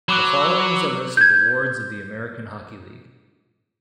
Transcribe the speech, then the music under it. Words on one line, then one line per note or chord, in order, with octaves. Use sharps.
The following is a list of awards of the American Hockey League.
F#3 B5 D6 F#6
E6
G6 G#6